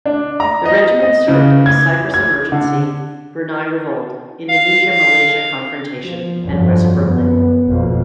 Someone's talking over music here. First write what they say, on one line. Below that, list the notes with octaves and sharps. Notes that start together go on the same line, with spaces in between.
The regiment served in the Cyprus Emergency, Brunei Revolt, Indonesia-Malaysia confrontation and West Berlin.
D4
A#5
D#5
D#5
C#3
G#6
G#6
D3
F5
F3
G1 F2 D3 F3 F#3
F#2 B3
G#1 F2 B2 A#3